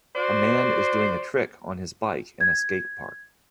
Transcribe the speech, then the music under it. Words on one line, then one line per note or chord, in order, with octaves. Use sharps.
A man is doing a trick on his bike in a skatepark.
F#4 C5 D5
G#6